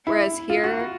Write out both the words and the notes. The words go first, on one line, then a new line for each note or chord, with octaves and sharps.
whereas here,
E4
F4
F#4